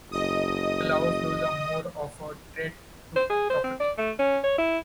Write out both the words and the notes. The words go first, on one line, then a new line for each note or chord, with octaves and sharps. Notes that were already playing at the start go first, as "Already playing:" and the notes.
The lava flows are more of a threat to property.
F#1 D#5 D#6
C5
G#4
C5
C4
D5
A3
C#4
C#5
E4